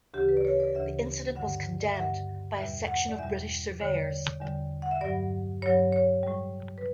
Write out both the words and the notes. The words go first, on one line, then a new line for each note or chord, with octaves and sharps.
The incident was condemned by a section of British surveyors.
D2 C#3 E3 G4
B4
D5
C#5
D5
D2 C#3 E3 E5
G2 D3 G3 F#5
D5
E5
G2 D3 G3 F#5
E2 B2 G3 E5
F#5
D5
E2 B2 G3 E5
E2 D3 G3 C#5
E2 D3 G3
F#5
E5
G2 F#3 D5
G2 F#3 C#5
C#5
A2 G3
B4